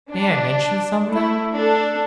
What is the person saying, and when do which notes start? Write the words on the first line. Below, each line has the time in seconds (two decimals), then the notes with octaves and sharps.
May I mention something?'
0.11 D4
1.08 A3 E4
1.54 D4 A4